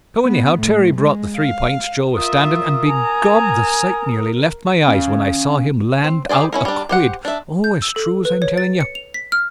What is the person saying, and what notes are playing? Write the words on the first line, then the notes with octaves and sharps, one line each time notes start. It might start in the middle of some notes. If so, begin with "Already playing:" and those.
So anyhow Terry brought the three pints Joe was standing and begob the sight nearly left my eyes when I saw him land out a quid O, as true as I'm telling you.
B3
A2
G#3
F5
F4 A#4 E5 D#6
G#5 A#5
C#4 F5
C4
G4 G#4 C5 D5
C#4 E4 A#4
G3 D4
G4 C5 F#5
D4 E5
G6
E6
A4
B4
C#5
A6
C#7
F7
B6
F6